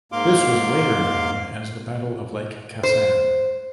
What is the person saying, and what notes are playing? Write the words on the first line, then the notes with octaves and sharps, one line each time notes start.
This was later known as the Battle of Lake Khasan.
G#2 A#3 F5 C6 D6
C5